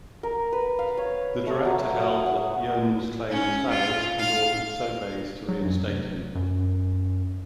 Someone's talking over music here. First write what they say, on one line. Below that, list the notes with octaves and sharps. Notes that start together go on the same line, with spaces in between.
The Director held that Yeoman's claim was valid and ordered Sobeys to reinstate him.
A#4
B4
F5
C#5
A3
F#3
D#6
F#5
C#4
F4
F5
F#3
F#2
F1
F#2